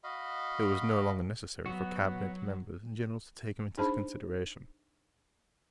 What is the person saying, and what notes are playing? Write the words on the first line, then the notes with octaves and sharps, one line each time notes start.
It was no longer necessary for cabinet members and generals to take him into consideration.
F#4 D#5 F5 B5
F#3 B3 F#4
D4 D#4 G#4 C5 A5 B5